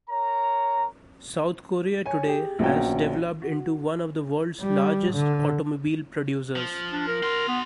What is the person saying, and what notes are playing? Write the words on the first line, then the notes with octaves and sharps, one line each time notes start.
South Korea today has developed into one of the world's largest automobile producers.
A#4 C#5 A#5
C#5 G#5
G4 G#4 G5
A#1 F#3 B3 C#4 F#4 G5
F#4
G3
D3
F3
D4
A#4
F#4 C6
B3